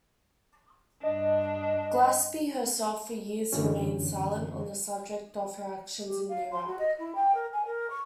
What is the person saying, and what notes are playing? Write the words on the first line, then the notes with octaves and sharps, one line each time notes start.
Glaspie herself for years remained silent on the subject of her actions in Iraq.
G2 D4 D#5
F#2 D3 E3 F#3 C#4
G4
F5
C6
F#4
D#5
E4
G5
A#4
G#5
A#4
C#6